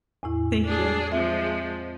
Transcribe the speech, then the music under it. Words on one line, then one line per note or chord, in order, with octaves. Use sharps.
Thank you.
E2 A2 E4
D4 G#4
F3 G#3 C4 F4 E5